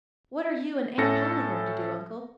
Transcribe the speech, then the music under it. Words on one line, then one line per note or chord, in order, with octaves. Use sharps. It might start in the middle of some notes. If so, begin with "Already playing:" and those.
"What are you and Aunt Polly going to do, Uncle?"
A2 C#4 A4 A#6 C#7